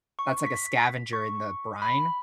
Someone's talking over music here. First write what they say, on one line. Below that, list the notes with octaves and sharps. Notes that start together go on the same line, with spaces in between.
that's like a scavenger in the brine.
C#6
B6
C#6
B5